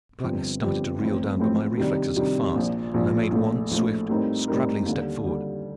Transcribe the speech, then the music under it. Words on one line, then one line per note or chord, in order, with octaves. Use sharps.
The blackness started to reel down, but my reflexes are fast and I made one swift, scrabbling step forward.
G1 G2 F3 C4 G4
G1 G2 F3 C4 G4
A1 A2 F3 C4
A1 A2 F3 C4
C3 D#3 G3 D4
C3 D#3 G3 D4
A#1 A#2 F3
A#1 A#2 F3
A#1 A2 A3
A#1 A2 A3
A2 G3 C4 D#4 A#4
A2 G3 C4 D#4 A#4
D#2 D3 G3
D#2 D3 G3